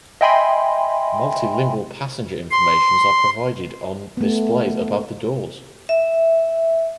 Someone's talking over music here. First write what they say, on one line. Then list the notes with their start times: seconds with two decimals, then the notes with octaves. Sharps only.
Multilingual passenger informations are provided on displays above the doors.
0.21 D#5 E5 G5 G#5 B5 C6
2.51 C6
4.17 A3 B3
5.89 E5